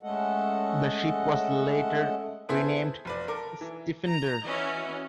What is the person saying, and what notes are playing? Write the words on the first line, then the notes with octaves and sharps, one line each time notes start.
The ship was later renamed Stifinder.
G#3 A3 C#4 A4 D#5 F#5
B3 E4 G#4 A4 C5 E5
F1 B4 D5
A4 A#4 D6
E3
A#5
E3 C#4 F#4 D#5